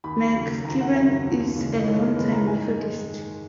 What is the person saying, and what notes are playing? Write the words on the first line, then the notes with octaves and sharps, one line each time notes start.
McKibben is a long-time Methodist.
D#2 B5
C#3 F#3
D#2 A#5
F#5
C#3 F#3 E5
D#2
C#3 E3 G#3
D#5
D#2 C#5
A#4
C#3 E3 G#3 B4
A#5
G#2 G#5
D#3 G#3